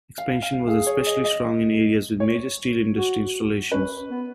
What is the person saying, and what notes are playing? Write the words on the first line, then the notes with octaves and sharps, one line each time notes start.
Expansion was especially strong in areas with major steel industry installations.
F5
F5
G#4 F5
C#5
D#5
D#5
C#5
F#4
C#4 B4
B3